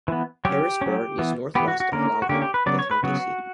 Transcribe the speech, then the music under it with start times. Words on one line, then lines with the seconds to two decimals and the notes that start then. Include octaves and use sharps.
Harrisburg is northwest of Lowville, the county seat.
0.08 E3 B3
0.45 F#3 C#4 G4
0.81 F#3 C#4
1.19 E3 B3
1.55 B3 G4
1.60 E3
1.68 F#4
1.80 F#4
1.92 D3 A#3 C#4 A#4
2.22 F#4
2.29 D3 A#3 C#4 G4
2.42 G4
2.54 B4
2.66 C#3 F#3 B3 D5
2.79 C#5
2.91 B4
3.03 C#3 F#3 B3 F#4